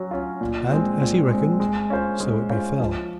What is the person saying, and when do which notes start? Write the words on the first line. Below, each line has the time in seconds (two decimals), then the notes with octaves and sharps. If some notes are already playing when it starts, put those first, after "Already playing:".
And as he reckoned so it befell.
Already playing: F#3 C#4
0.11 C#4 F4
0.41 A#2
0.71 G#3 C4
1.01 A#2
1.30 G#3 C4
1.60 G#3
1.90 C#4 F4 C5
2.20 G#3
2.50 C#4 F4 C5
2.80 F3